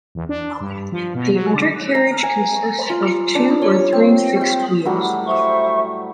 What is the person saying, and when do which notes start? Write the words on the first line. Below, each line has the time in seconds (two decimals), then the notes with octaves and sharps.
The undercarriage consists of two or three fixed wheels.
0.15 E2
0.29 D4
0.61 G2
0.92 F3
1.15 B2
1.34 F#3
1.54 D3
1.95 A#5
2.23 G#5
2.90 F4
3.35 D4
3.62 C#5
3.93 C4
4.41 G5
4.86 A2 F#3 G3
5.26 C5 E5 C#6